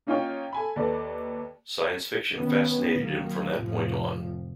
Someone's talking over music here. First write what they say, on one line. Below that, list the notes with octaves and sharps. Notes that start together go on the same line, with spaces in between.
Science fiction fascinated him from that point on.
A#3 C#4 D#4 F4 C#5 G5
A4 G#5 B5
D#2 A4 B4 D5
D#3 B3 C#4
D#3 F#3 A#3
F1 A2 C3 F3